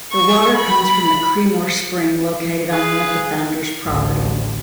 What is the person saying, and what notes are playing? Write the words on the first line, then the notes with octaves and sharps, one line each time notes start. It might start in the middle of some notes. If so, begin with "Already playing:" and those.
The water comes from the Creemore Spring located on one of the founder's property.
C#6
B5
G#4 B4 F5
A1 D2